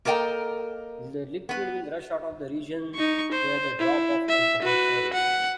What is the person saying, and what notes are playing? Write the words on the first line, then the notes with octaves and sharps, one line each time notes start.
The liquid will rush out of the region where the drop of alcohol fell.
A#3 A4 A#4 D#5 G5
B3 B4
D#4 C#6
C5
E4
E5
F#4 B4
F#5